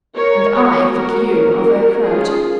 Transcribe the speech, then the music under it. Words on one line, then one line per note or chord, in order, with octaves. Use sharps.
"And I think you are very crabbed."
A#4 C#5
F#3 B3 A#4 C#5
F#4 A#4
F3 A#3 C#4 F#4 A#4
D#3 G#3 C#4 F4 G#4